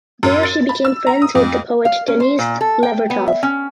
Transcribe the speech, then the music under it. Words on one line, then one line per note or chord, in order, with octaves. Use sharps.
There she became friends with the poet Denise Levertov.
F#2
A6
B5
E6
A#5
D#6
F2
F5
C#4
C5
A#2
A4
G5
B3
E5
C#4